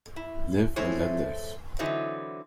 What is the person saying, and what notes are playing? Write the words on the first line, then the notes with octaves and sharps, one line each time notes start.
Live and let live.
E4
E3 G#3 A3 E4 C5 C#5
D3 E3 F#3 C4 D#4 E4